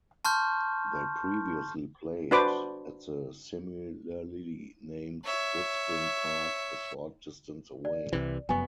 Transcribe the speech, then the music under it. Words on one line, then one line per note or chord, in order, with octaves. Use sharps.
They previously played at the similarly named Woodspring Park a short distance away.
A5 C6 C#6 F6 G6
D4 F#4 B4 C5 D6
C#5 E5
D5
C2 C3 E3
F1 F#2 B3 G#5 C#6